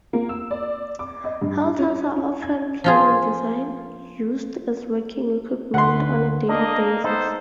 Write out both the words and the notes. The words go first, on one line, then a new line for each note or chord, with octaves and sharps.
Halters are often plain in design, used as working equipment on a daily basis.
A#3
E6
D5
D6
D#5
G2
C#4
C#4
G#6
F3 F4 G#4
D2 B4 F#5 C6
A#3 D4 D#5
B3 D#4 A4 C5